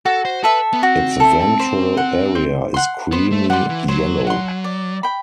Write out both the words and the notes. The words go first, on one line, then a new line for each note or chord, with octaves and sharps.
Its ventral area is creamy yellow.
F#4 A4
C5
A4 B4 E5
B3
C4 F#4
A4 E5
C5
F#5 C6
C5
F#5 C6
B3 C5
A3
G3 F#5 C6
E3
F#3 C5
F#5 C6
D5
G5 B5